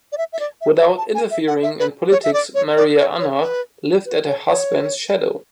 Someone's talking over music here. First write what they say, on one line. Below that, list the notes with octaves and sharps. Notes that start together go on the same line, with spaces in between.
Without interfering in politics, Maria Anna lived at her husband's shadow.
D5
E5
E5
D5
E5
E5
A5
G#5
E5
F#5
E5
B4
C#5
E5
D5
C#5
D5
C#5
C#5
B4
B4
C#5
C#5